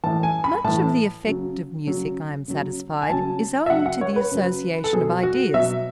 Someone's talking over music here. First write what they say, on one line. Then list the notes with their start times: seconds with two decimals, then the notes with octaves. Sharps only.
Much of the effect of musick, I am satisfied, is owing to the association of ideas.
0.04 A2 E3 A5
0.23 G#5
0.44 B5
0.64 A2 E3 A5
1.26 C#3 F#3
1.87 C#3 F#3
2.48 C#3 F#3
3.02 G#5
3.09 C#3 F#3 A5
3.66 E5
3.70 C#3 F#3 F#5
3.86 F#5
4.01 C#5
4.16 B4
4.31 C#3 F#3
4.84 A4
4.93 B2 F#3 G#4
5.23 F#4
5.54 B2 F#3 E5